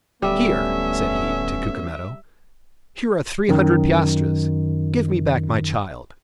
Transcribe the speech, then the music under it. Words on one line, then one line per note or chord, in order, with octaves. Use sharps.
'Here,' said he, to Cucumetto, 'here are three hundred piastres; give me back my child.
D1 G3 A3 B3 C#4 E5
F#2 D#3